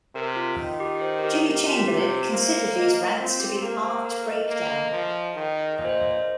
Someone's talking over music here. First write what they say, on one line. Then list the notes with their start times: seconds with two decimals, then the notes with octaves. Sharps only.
Jimmy Chamberlin considered these rants to be "art-breakdown".
0.15 C3 A#4
0.36 F4
0.58 D#3 F4
0.80 G4
1.01 C5
1.18 A#4
1.23 G4
1.44 A#4
1.56 G4
1.67 F4
1.77 F4
1.88 C3 G4
2.11 C5
2.31 A#3 C5
2.76 D#5
2.97 F5
3.18 C4 F4
3.40 G4
3.62 A#3 A#4
3.83 C5
4.05 A#4
4.27 D#5
4.48 A#3 F5
4.71 D#5
4.92 F3
5.36 D#3
5.78 A#2 D#5
5.85 C5
5.89 D#5
6.01 C5
6.11 C5